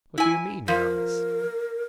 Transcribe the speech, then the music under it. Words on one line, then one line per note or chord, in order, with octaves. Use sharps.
"What do you mean, Aramis?"
E4 G#5
F3 A#4